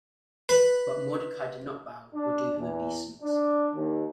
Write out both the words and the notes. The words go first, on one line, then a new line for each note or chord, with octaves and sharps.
But Mordecai did not bow, or do him obeisance.
B4
D4
E2
D4
D#2